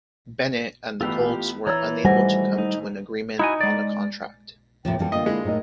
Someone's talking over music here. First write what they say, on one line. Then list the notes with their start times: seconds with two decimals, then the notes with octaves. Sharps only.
Bennett and the Colts were unable to come to an agreement on a contract.
1.01 A1 B3 F4 G4 F5 E6
1.67 E3 C#5 A#5 E6 G#6 A6
2.05 G#1 A2 G3 C5 F#5 G#5 A#6
2.58 D#4
3.39 D#4 E4 F#4 G#5
3.61 G#3 D5
4.85 D#2 A2 C3 F3 G5
4.99 E3 G3 B3 F4 A4
5.12 D3 A#3 F4 D#5
5.26 G#3 E4
5.44 A2 D#4 A#4 D#5